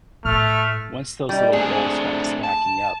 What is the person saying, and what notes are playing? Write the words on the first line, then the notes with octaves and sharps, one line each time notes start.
once those little goals start stacking up,
A2 A3 F6
G3 D#4
A3 C4 D4 G#4
A5